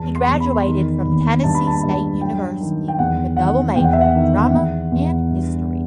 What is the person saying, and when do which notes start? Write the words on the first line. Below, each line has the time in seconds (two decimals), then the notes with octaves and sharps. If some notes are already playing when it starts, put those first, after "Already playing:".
He graduated from Tennessee State University with a double major in drama and history.
Already playing: E2 A5
0.15 C6
0.28 E2
0.40 B5
0.67 D#3
1.05 D#2
1.43 G2 A5
1.55 B5
1.67 A5
1.78 B5
1.83 G2
1.89 A5
2.21 F#3 G5
2.61 D#3
2.88 G5
2.99 E2 F#5
3.37 D#3 F#5
3.76 E2 G5
3.84 F#5
3.93 E5
4.01 F#5
4.15 D#3
4.53 E2
4.92 E2
5.31 G2